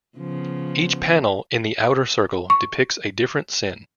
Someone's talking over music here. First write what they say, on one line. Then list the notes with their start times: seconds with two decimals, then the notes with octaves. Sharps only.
Each panel in the outer circle depicts a different sin.
0.18 C#3 F3 B3
2.50 C#6